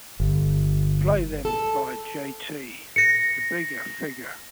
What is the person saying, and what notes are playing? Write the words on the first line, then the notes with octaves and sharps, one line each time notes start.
Play them by Jt The Bigga Figga.
G1
A4
A#6 C#7